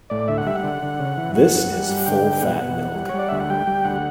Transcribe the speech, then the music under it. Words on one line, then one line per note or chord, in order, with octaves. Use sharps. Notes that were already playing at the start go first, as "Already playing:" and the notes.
This is full-fat milk.
A2 D5
D2 E5
F#5
G3 E5
F#5
D3
D3
C#3
E3
F#2 F#5
F#2
G3
G2
D3 G5
G2
B2 F#5
B2
E2
G3
G3 C#5
D5
D2 E5
F#5
G3 G5
G3
D2 F#5